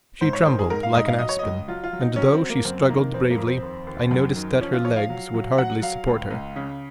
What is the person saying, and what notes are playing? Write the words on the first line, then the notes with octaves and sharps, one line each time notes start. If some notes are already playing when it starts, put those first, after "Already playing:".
She trembled like an aspen, and though she struggled bravely, I noticed that her legs would hardly support her.
G#2 C5
C#5
D#3 C5
G#4
G#2 A#4
F5
G#2 D#5
F5
F#3 D#5
C#5
C#2 D#5
F#3 F4
F4
F#3
D#4
F#3 C#4
C4
F#3
A#3
F#2 C4
D#3 A#3
F2 C4
A#3
F2
C4
D#2
D#2
F#2
D#3
F3 C#4
F4
F3 C#5
F5
F#3
F#3
F#3 F#5
F#3 F5
C#2
C#2
C#3